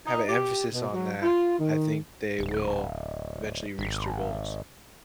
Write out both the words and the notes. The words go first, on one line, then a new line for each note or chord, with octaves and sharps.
have an emphasis on that, I think they will eventually reach their goals.
D#4
G4
B2
F#3
F4
D#3
D1
G#1